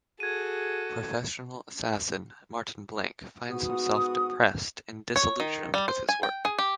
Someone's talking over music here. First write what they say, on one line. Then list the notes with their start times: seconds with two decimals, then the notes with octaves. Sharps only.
Professional assassin Martin Blank finds himself depressed and disillusioned with his work.
0.20 F#4 G#4 A4 G#6 D#7
3.51 G#2 B3 F#4 D#6
5.16 C#5
5.40 D#3
5.74 G3
5.88 C5
6.09 G#5
6.23 G5
6.45 G#4
6.59 G4